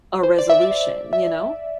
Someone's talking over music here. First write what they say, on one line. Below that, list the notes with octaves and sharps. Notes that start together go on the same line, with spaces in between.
a resolution, you know?
C5
D5
E5
D5
E5